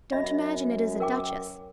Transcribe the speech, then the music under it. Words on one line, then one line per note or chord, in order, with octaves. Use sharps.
Don't imagine it is a duchess.
F#2 D#5 E5 B5
A#4 G5 D6